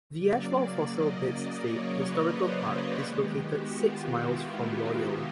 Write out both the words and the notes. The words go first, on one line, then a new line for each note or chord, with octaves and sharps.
The Ashfall Fossil Beds State Historical Park is located six miles from Royal.
C#3 F#3 A#3 D5
D#5
D5
C#5
B4
C5
D#3 G#3 B3 G4
F#4
F4
E4
D#4
E4